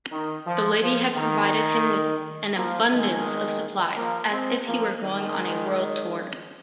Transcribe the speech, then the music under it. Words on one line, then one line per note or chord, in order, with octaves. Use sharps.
The lady had provided him with an abundance of supplies, as if he were going on a world tour.
D#3
F3
F3
D#3
F3 A#3
D#3 G#3
F3 A#3
G#3 C4
F3 A#3
D#3 G#3